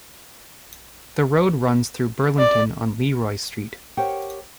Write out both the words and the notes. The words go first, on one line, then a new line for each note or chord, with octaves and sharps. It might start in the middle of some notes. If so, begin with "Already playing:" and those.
The road runs through Burlington on Leroy Street.
D5
G4 A#4 C5 C#5 F#5 G5